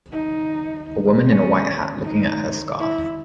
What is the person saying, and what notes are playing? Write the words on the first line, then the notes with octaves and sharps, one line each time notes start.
A woman in a white hat looking at her scarf.
D#4
C#4
D#4
E4